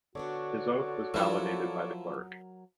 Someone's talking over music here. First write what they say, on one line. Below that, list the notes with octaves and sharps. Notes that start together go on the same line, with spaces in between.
His oath was validated by the clerk.
D3 B3 D4 F#4 A4 C#5 D5
F3 F#3 E4 A#4